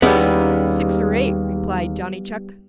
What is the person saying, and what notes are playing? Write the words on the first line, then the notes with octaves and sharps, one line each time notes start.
"Six or eight," replied Johnny Chuck.
D#2 G3 G#3 B3 C#4 E4